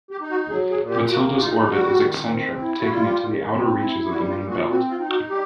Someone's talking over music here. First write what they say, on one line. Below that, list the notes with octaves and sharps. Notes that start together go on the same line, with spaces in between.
Mathilde's orbit is eccentric, taking it to the outer reaches of the main belt.
G4
D#4
F#4
F#3 G#4
G#4
A#2
G4
A#3 F#4
F#4
D#4 F4
G3 F#4
D#3
C4
E4
F#4
G3 F4
D#3
C4
E4
G3 F#4
F4
A#2
F#4
C4 F#4
F4
D#4
F#4
G3 G4